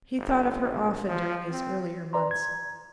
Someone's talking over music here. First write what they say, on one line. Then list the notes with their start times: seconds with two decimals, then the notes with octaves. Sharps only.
He thought of her often during these earlier months.
0.17 G1
0.61 A#1
1.08 F3
1.51 C4
2.13 B4 D5 A#5 C6
2.31 G#6